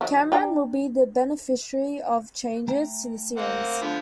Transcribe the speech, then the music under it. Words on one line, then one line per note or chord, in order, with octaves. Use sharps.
Cameron will be the beneficiary of changes to the series.
D#3 F#3
D4 G5 A#5
A3 G5 A#5
A#3 C4 F#5
D3 F3 B3